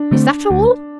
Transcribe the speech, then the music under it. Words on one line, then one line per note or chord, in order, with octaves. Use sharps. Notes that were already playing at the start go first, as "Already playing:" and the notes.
'Is that all!
Already playing: D4
D3 A3 C4
D2